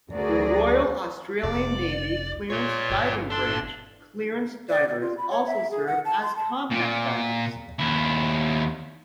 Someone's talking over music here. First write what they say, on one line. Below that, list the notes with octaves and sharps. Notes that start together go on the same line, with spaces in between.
The Royal Australian Navy Clearance Diving Branch clearance divers also serve as combat divers.
D2 F#3 F#4 G#4 A#4 D5
F1 C2 D5
A#2 F4 B4 C#5
G1
D4 A4 C6
D5
D5
F4
B5
C#5
E5
G#4
F#5
A5
C6
A5
A#2
D#2 E4